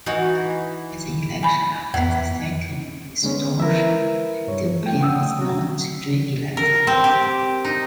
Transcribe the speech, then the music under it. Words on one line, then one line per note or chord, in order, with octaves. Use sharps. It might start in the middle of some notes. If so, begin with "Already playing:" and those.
At the election after the second restoration Dupin was not reelected.
E3 D#4 F#4
G#5 B5
F2 E3 B3
D3 G#3 B3 C#4 D#4
E4 A#4 B4 E5
G2 C#5
A3 G5
F#5 G5 D#6 E6
F#3 F#4
A#4
C4
G4
D#4